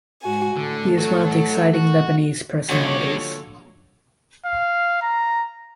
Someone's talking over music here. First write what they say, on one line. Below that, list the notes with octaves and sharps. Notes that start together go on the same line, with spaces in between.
He is one of the exciting Lebanese personalities.
G#2 F#4 G#5
A2 D3 A4
F#3 F#4
F#4
G2 A#2 D3 F3 F#4 C#5 D#5
F5
A#5